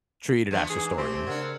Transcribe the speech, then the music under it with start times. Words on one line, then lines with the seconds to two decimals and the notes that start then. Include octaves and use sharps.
treated as historians.
0.51 E3 F3 B3 D4
0.70 G#2 G#4
0.98 A3 C4 C#4 G4
1.27 C#3 D4 A#4 C#5 F#5